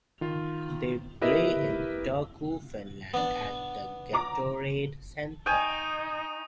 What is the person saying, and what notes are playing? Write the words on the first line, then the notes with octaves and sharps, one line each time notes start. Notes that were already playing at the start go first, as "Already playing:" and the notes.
They play in Turku, Finland, at the Gatorade Center.
D#3 F4
E4 G4 A#4 B4 D#5 E5
B3 D4
A#5 D6
D#4 G5 G#5 C#6 D#6 D#7